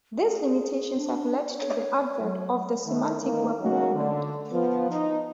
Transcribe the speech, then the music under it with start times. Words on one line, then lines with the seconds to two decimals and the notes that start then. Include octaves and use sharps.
These limitations have led to the advent of the Semantic web movement.
0.19 G#4
0.97 D4
1.57 C#5
2.23 F#3
2.85 D#3 A3
3.21 D#3 E3 A#3
3.61 C#3 F#3 A#3 C#4 D#4 F#4
3.93 D3
4.51 F3 B3
4.89 D#4